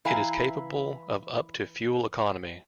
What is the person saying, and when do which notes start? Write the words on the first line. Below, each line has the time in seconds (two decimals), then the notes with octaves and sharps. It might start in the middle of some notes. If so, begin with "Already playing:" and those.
It is capable of up to fuel economy.
0.05 E3 E4 B4 F5 G#5 A#5